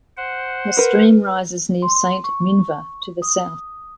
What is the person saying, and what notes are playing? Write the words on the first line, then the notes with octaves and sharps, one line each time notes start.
A stream rises near Saint Minver to the south.
C5 F#5
A#4 B4
C6
C#6
D#6